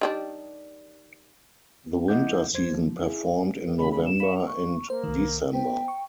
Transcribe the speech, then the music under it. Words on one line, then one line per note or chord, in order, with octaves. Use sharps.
The winter season performed in November and December.
D#3 G3 D4
F3 E4 D#5 F#5 D6 G6
E2 F3 C5 G#6
F3
E4 G#4
A#4
C#3 G#3 B5
B5
E7
F5 B5 C#6
C#6
A#3 C5
C2 D#3
B3 C5 G5
C#6